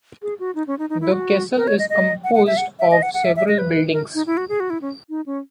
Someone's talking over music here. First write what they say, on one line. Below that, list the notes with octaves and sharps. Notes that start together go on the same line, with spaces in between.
The castle is composed of several buildings.
G#4
F#4
D#4
C#4
D#4
D#4
E4
F#4
A#4
C#5
D#5
D#5
F#5
F#5
E5
F#5
E5
D#5
F#5
F#5
E5
E5
D#5
B4
A#4
D#4
E4
F#4
G#4
F#4
E4
C#4
D#4
C#4